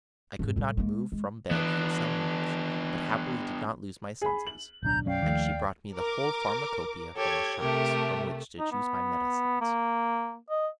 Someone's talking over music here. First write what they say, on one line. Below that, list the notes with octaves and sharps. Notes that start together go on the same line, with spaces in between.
I could not move from bed for some weeks, but happily did not lose my senses, and she brought me the whole pharmacopoeia from the shops, from which to choose my medicines.
F2 G#2
A2 G3
G#3 A#3
G#3
E3 B3 D4
G#4 B5
F#7
D1 B1 D4 A#5 G6
B1 F#2 C#4 D5 F5 G5
D#2 D#3 F3 A3
A#4 D6
G4 A4 C#5 G#6
C3 A3 G4 A#4
D#4
B3
A#3
D#5